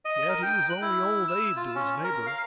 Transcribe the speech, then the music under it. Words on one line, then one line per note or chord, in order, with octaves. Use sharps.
Yet he was only "Old Abe" to his neighbors.
D#5
A#4
G5
F#6
E4
E6
F4
C#4
A#4
F5